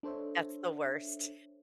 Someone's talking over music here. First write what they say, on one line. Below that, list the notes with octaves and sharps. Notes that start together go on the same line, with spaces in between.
That's the worst.
D4 A4 C5 C#5 E5